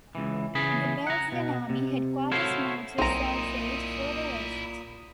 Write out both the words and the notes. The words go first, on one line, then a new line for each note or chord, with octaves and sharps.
The Belgian army headquarters moved to Zelzate further west.
C#2 E3
C#3 E3 G#4 B5
F#5 A#5
B2
C3
E4 F#4 A4 C5 C#5 F5
B1 A#2 C4 D#4 E4 A#5 D#6